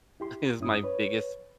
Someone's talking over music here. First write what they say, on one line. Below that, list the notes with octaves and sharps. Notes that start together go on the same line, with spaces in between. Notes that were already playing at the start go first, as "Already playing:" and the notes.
is my biggest
E4 G4 C6
G2 C#4 E4 D#6
B4 C#5